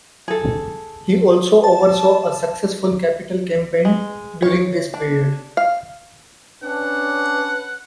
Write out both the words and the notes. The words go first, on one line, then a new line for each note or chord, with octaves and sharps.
He also oversaw a successful capital campaign during this period.
G#4 A4
A5
G#3
C#5
D4
F5
C#4 D4 B4 F#5